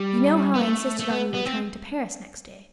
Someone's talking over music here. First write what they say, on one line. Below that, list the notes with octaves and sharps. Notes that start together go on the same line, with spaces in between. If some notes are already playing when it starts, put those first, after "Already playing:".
You know how I insisted on your returning to Paris next day.
Already playing: G3
B3
A3
A3
B3
B3
C4